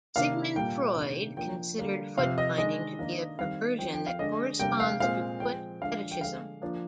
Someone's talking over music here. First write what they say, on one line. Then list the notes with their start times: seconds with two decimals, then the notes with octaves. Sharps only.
Sigmund Freud considered footbinding to be a "perversion that corresponds to foot fetishism".
0.16 C3 D#3 A#3 D4 F5
0.56 A#2 G3 A#3 G5
0.96 C3 D#3 A#3 D4
1.37 F3 A#3 D4 G5
1.78 D3 G3 A#3 D4
2.18 C3 F3 C4 F5
2.38 D#5
2.58 D#3 G#3 D4 D#5
2.99 D#3 A#3 D4
3.39 D#3 G3 C4 F5
3.79 F3 C4 G5
3.93 G5
4.07 F5
4.19 D3 G#3 D4 D#5
4.60 C3 G3 A#3 D4 G5
4.80 F5
5.00 A#2 G#3 C4 F5
5.40 F3 G#3 C4 G5
5.81 D3 F3 G#3 D4 F5
5.92 F5
6.11 G5
6.21 D3 G#3 D4 F5
6.62 F3 A#3 D4